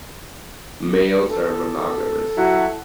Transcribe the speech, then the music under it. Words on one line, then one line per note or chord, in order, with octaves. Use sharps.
Males are monogamous.
A4
F#3 E4 F#4